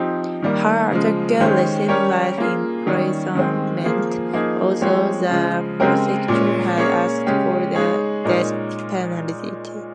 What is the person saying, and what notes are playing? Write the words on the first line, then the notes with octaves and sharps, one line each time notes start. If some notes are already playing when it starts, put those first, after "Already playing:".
Her attacker received life imprisonment, although the prosecutor had asked for the death penalty.
Already playing: F3 C4 D#4 G4
D#3 G3 A#3
C#3 F3 G#3
D#3 G#3 C#4 G4 C5
G3 C#4 G4 A#4 C#5
A#3 F4 G#4
D#3 G3 C#4
D#3 G#3 C4
F3 A#3 F4 G#4
F3 A#3 D#4 G#4
F3 G#3 C4 G4 C#5
C#3 F3 G#3
C#3 G#3 C4 G4 A#4
A#2 G#3 C#4
A#3 C#4 G#4 C#5
C#3 G#3 C#4 G4
G#3 D#4 G#4 C#5
A#2 G#3 D#4 A#4 C#5